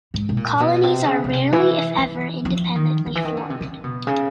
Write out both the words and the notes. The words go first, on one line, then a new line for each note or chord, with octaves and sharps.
Colonies are rarely, if ever, independently formed.
G#2
B2
A#2
B2
C3
C#3
C#3
C3
E3
E3
F3
D#3
D#3
E3
D#3
D3
C3
C#3
B2
C#3